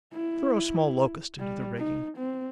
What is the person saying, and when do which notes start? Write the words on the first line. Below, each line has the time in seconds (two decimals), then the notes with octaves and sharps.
Throw a small Locust into the rigging.
0.13 E4
1.39 G3
1.78 D#4
2.18 C4